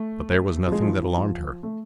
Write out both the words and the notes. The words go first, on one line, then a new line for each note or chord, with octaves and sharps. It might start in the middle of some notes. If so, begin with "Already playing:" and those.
But there was nothing that alarmed her.
Already playing: A3
F3
G#3
F3
E3
F3
F3
A3